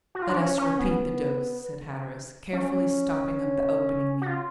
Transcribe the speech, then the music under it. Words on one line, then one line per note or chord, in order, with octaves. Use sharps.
"Let us repeat the dose," said Hatteras, carefully stopping up the opening meantime.
F#4
F4
D4
C#4
C#4
B3
C#4
F#4
F4